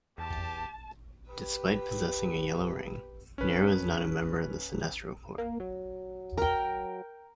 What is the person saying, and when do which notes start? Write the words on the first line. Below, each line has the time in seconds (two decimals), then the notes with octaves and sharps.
Despite possessing a yellow ring, Nero is not a member of the Sinestro Corps.
0.18 E2 G4 A5
1.30 G4 B4
3.38 C#4 B4
5.38 A#3
5.60 F#3
6.38 A#4 G5